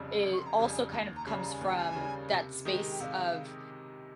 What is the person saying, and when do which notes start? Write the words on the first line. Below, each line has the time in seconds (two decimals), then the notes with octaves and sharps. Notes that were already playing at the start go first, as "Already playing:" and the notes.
it also kind of comes from that space of,
Already playing: F1 F2 C#3 G3
0.23 F1
0.32 C#6
0.39 C6
0.46 A#5
0.57 F2 C#3 G3
0.70 G#5
0.92 D#2 A#5
1.16 A#5
1.27 C#3 G3
1.38 A#5
1.51 G#5
1.61 D#2 G5
1.77 G#5
1.96 C#3 G3
2.31 C3
2.65 D#3 G#3 D#4 G4
2.90 G5
3.00 C3 F5